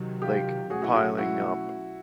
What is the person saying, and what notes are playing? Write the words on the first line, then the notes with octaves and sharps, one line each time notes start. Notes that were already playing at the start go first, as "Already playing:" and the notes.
like, piling up,
Already playing: C3 D#3 F#3
F4 G4
B2 F#3 A3 C#4 F#4 G#4
E4 F#4
F#4 G#4
E4 F#4